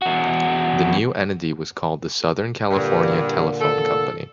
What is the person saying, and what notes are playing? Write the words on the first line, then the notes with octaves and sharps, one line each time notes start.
The new entity was called The Southern California Telephone C.
E2 F#4
G2 A#2 D3
A4